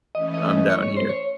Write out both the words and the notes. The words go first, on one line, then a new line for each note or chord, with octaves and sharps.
I'm down here.
E3 A3 C#4 D#5
D#5
C#5
C#5
C5
C#5